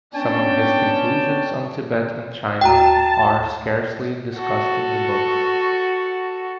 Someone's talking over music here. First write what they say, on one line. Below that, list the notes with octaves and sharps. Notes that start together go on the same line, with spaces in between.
Some of his conclusions on Tibet and China are scarcely discussed in the book.
B3 C#4 D4 C#5 G5 A5
D#2 F#4 G5 A5 A#5
F#4 A4